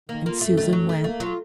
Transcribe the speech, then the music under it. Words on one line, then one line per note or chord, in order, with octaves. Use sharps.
And Susan went.
D#3 A#3
A#3 F4
F#2 A3
D#3 A3
F#2 F#3
D#3 A3
A3 A#3
F#3 F4